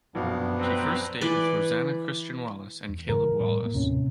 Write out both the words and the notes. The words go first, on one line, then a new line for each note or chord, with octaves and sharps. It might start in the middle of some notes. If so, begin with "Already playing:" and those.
She first stayed with Rosanna Christian Wallace and Caleb Wallace.
A#1 F#2 B2 B3 D4 F5
C4 B4 A#5
E3 B4 D5
E2
G#2 C#3 E3 A#4
A2 G3
A2 A#3
D#2 A2 C3 C#4